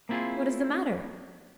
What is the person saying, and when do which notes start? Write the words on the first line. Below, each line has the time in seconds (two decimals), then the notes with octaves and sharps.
"What is the matter?"
0.09 A#3 C4 E4 F4 G#4